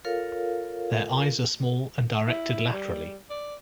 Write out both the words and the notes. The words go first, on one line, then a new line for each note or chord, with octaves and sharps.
Their eyes are small and directed laterally.
F4 A4 A#4 C#5 F5
E4
G3
D5